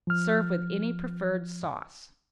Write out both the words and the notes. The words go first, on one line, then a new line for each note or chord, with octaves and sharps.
Serve with any preferred sauce.
F3 F6